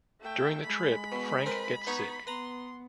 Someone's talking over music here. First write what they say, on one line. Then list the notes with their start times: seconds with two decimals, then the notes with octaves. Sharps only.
During the trip, Frank gets sick.
0.21 A3 G5
0.63 G#3 B5
1.12 B2
1.46 C4 A#4 B4
1.87 B3 D#4 C#5
2.27 B3 B4 A#5 C6